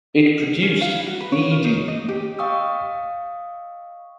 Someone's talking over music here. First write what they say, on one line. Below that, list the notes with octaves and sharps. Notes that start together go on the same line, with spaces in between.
It produced beedi.
C#4
F5
E4
F#4
B4
C#5
F4
D#4
D#5
G4
D#5 F5 G5 C#6 D#6 E6